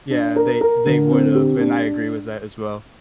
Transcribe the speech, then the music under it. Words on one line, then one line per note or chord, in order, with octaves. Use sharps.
yeah. They they would have, and I agree with that as well.
D4
A#4
A#4
D3
C4
G4
D4